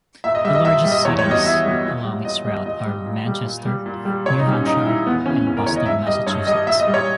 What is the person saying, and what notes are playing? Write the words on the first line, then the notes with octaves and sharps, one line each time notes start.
The largest cities along its route are Manchester, New Hampshire and Boston, Massachusetts.
A#2 E5
D#5
G3 E5
D#5
A#2 E5
G3
D#5
E2 C#5
C#5
G3
B2 D#5
E2 E5
B2 G3
A#2
G3
A#2 D#5
G3 D#5
A#2 D#5
G3
A#2
G3
A#2
G3
A#2
G3
A#2 C#5
D#4
G3
C#4
A#2 D#4
G3 E4
E2 B3
C#3 E3 C#4
E2 C#4
A#4
C#3 E3 C#5
D#5
G2 E5
G3 D#5
G2 C#5
G3 D#5
A#2 E5
D#5
G3
C#5